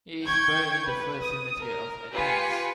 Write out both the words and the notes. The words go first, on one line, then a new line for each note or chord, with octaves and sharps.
He is buried in the First Cemetery of Athens.
G5 C#6 G6 G#6
B4
D#6
A#4
F4 G4 B4 G#5 B6 C#7